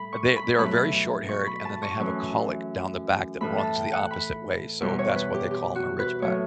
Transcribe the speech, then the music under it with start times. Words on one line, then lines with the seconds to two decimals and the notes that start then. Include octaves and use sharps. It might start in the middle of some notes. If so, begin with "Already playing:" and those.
they they are very short-haired, and then they have a cowlick down the back that runs the opposite way, so, that's why they call 'em a Ridgeback,
Already playing: A2 G3 B5
0.13 C#6
0.36 B5
0.59 B2 F#3 A3 B5
1.29 C#6
1.46 B5
1.65 A5
1.83 C#6
1.99 F#2 E3 A3
3.41 A2 E3 A3 B5
3.58 A5
3.76 G5
3.93 F#5
4.11 B5
4.81 E2 B2 G3
4.99 C#5
5.16 B4
5.34 G4
5.51 G4
5.75 F#4
5.99 B4
6.22 A2 F#3 A3 C#5